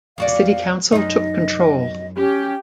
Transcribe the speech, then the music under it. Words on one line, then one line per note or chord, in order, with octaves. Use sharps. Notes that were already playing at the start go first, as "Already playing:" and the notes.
The City Council took control.
F2 F#4 D5 F5
F#2 D#4 D#5
C#4 G4